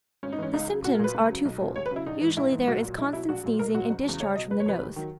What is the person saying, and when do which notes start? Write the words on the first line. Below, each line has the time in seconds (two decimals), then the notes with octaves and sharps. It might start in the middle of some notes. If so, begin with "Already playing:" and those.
The symptoms are twofold, usually there is constant sneezing and discharge from the nose.
0.23 G#1 C#4
0.33 D#4
0.39 G#2 E3 C#4
0.54 C#2 D#4
0.69 C#3 F#3
0.84 A#1 F#4
0.94 A#4
0.99 A#2 F#3 B4
1.15 C#2
1.30 C#3 F#3
1.45 B1
1.60 A#2 F#3
1.76 D#2 C#5
1.86 B4
1.91 C#3 F#3
1.96 E4
2.06 A#1 D#4
2.21 G#2 E3
2.37 A#1 E4
2.52 G#2 E3
2.67 B1 F#4
2.82 A#2 F#3
2.98 B1 E4
3.13 B2 F#3 E4
3.29 A#1 F#4
3.44 A#2 F#3
3.59 B1 A#4
3.74 A#2 F#3 F#4
3.90 F#1
4.05 E2 C#3 F#3
4.20 C#2 C#5
4.35 F#3 D#5
4.38 B2
4.50 F#1 B4
4.60 C#5
4.66 E2 B2 B4
4.81 D#2
4.96 D#3 F#3